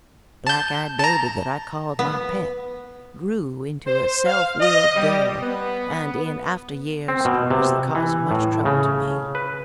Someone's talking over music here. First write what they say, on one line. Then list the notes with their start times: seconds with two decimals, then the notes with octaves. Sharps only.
The black-eyed baby that I called my pet grew into a self-willed girl, and in after years was the cause of much trouble to me.
0.47 A5 G6
0.99 A5 A#5
1.99 B3
3.87 C5
4.27 F5
4.60 D#5
4.96 G3
5.43 B3
7.08 C4
7.25 B2
7.50 C3
7.95 E3
8.31 A2
8.65 C#3
9.35 B4